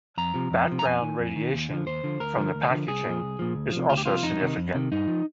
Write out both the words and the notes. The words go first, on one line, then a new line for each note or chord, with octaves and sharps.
Background radiation from the packaging is also significant.
F2 A#5
C3 F3
F2
C3 F3
A#5
F2 G#5
D#3
F2
D#3
D#2
D3 F3
D#2 C5
D3 F3
D2 A#4
D3 F3
D2
D3 F3
C2 G#4
A#2 F3
C2
A#2 F3
D2
C3 F3
D2 F4
G4
C3 F3 F4
F2 D#4
C3 D#3
F2
C3 D#3
G2 D#4
F3